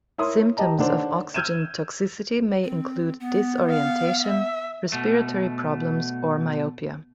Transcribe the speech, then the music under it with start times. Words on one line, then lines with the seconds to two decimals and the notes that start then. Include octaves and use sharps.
Symptoms of oxygen toxicity may include disorientation, respiratory problems, or myopia.
0.18 E4 A#4 C#5 C6 D#6
0.57 G4 D#5 A5 A#5
0.79 D3 D#3 D4 C5 C#5
1.34 E6 F6 G6 G#6 D#7 E7
2.64 C4
3.20 B3
3.70 F5
4.27 E5
4.92 B2 A3